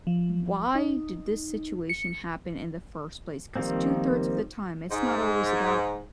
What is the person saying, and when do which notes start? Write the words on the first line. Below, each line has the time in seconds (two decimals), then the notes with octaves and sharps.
why did this situation happen in the first place? 'Cause two-thirds of the time it's not always about,
0.07 F3
0.75 D#4
1.89 C#7
3.56 D#3 F3 G3 A#3 C4
4.90 G#2